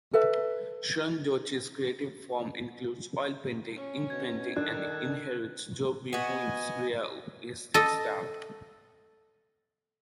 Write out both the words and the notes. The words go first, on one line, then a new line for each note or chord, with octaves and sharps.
Sun Duoci's creative form includes oil painting, ink painting, and inherits Xu Beihong's realistic style.
A4 B4 E5
C#4
B2 G#6
D#3 D4 A4 F#6
B3 F#4 D#5 G#5
A4 D#5